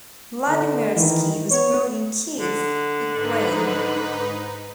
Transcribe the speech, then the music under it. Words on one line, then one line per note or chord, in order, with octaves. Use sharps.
Vladimirski was born in Kiev, Ukraine.
D3
D#3 E3
B3 C#5
D3
G#2 D#4 B4